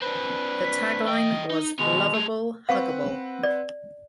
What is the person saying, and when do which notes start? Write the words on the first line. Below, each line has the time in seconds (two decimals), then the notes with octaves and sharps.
The tagline was "Loveable Huggable".
0.02 C4 D4 B4
0.64 B6
1.08 E3 D#5 G5
1.51 D#4
1.79 B2 D#3 G#3 B3 F7
2.15 A3 G#4
2.69 C4 B4 F5 F#5 C#6
3.43 D5